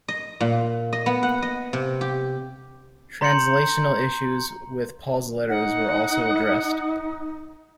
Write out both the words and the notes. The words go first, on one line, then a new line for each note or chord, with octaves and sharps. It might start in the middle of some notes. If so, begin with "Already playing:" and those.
Translational issues with Paul's letters were also addressed.
D#5
A#2
D#5
B3
F#5
D#5
C3
G4
A#5 C6 G6 C#7 F#7
D#4 F#5